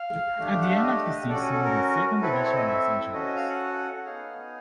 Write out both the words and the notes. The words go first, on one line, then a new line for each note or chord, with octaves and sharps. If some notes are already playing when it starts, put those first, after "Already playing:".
At the end of the season the second division was introduced.
Already playing: F5
A3 D4 G4
G5
F#5
F5
E5
D#5
C#4 F#4 A4 D5
A4
A#4
C4 E4 A4 B4
C#5
C#5
D#5
E5
C#4 F#4 A4 D#5
D#5
F5
F#5
B3 D#4 G#4 F5